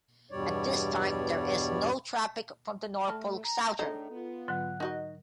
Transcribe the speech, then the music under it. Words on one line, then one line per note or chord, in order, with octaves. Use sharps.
At this time there is no traffic from the Norfolk Southern.
E2 G2 B2 G3 C#5 D5
A3 A5 F6
A#5
A2 D4 D#4 G#4 A4
B3 F4
G#2 D3 F#3 F#5 F#6
D#4 F#4 A#4 D#5 G6